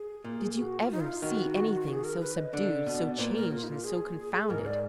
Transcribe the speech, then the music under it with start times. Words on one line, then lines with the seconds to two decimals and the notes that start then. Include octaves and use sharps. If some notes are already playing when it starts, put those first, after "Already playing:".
Did you ever see anything so subdued, so changed, and so confounded?
Already playing: G#4
0.24 A#2
0.57 F#4
0.80 F4
0.92 D#4
1.00 F4
1.22 D#3 F#4
1.80 F#4
1.88 G#4
2.04 A#4
2.20 B4
2.37 D#5
2.53 D3 D5
2.86 B2
3.19 A#2 B4
3.35 A#4
3.52 F4
3.63 D#4
3.68 F4
3.84 G#4
4.49 G#2 A#4
4.66 D5